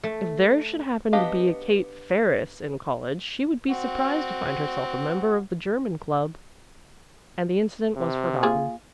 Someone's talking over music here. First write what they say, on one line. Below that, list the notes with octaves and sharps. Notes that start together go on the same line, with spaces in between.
"If there should happen to be a Kate Ferris in college, she would be surprised to find herself a member of the German Club," and the incident was forgotten.
A3
B3 D4 G4 D#5 F5
C4 F#4
C3
A#3 F4 G#4